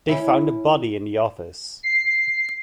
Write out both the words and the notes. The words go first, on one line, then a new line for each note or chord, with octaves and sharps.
They've found a body in the office.
C#4 E4
C7